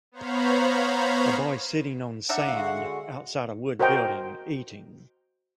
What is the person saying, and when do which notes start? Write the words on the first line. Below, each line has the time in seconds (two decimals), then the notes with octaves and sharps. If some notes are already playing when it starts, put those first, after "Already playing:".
A boy sitting on sand outside a wood building eating.
0.12 B3 C5 C#5 F5 A#5 B5
2.29 D4 D#4 E5 F#5
2.49 D3 G#3 F#4 F5
3.79 F#4 A#4 C5 D#5 G5 A#5